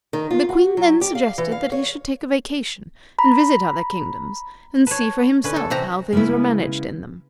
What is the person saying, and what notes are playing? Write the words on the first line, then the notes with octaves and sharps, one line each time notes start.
The Queen then suggested that he should take a vacation, and visit other kingdoms, and see for himself how things were managed in them.
D#3
F4
F#4
F#3
G4
F5
E3
F5
C#5
A#5 B5
B4 C#5 A5
D3 C#4 B4
A4
C3 E3 C4 F#4 G4 A#5
C#3 G#3 A#3 B3 E4